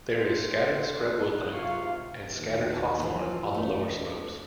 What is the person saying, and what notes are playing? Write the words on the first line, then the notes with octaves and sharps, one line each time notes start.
There is scattered scrub woodland and scattered hawthorn on the lower slopes.
C5
F#5
G#2 C3 F4 F5 C#6
D#2
E3 F3 C4
E1 A3